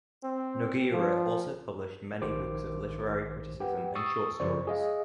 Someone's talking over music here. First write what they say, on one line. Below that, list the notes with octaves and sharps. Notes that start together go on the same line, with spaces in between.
Nogueira also published many books of literary criticism and short stories.
C4
F3
A#1 D#3 G4 C5 D6
G4 B4 F#5 G5
C#6 D#6 E6 A6 C7
F#2 C#3 F3 C5 D5 C#6
G#4 D#5 F5